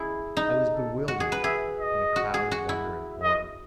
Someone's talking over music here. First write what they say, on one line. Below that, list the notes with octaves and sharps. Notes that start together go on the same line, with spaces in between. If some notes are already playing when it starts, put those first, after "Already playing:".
I was bewildered, in a cloud of wonder and horror.
Already playing: E4 G#4
D#4
A4
F#4
G#4
B4
G#4 E5
D#5
F#4
G#4
F#4
E4
D#5